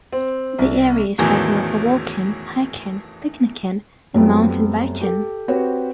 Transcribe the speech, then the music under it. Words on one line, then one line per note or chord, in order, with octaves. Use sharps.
The area is popular for walking, hiking, picnicking, and mountain biking.
C4
C2
A1 E2 A2 D#3 E3 F#3
F#2 G3 A3 B3 C4 F4
G4 A4
C4 F#4 G4 B4 C#5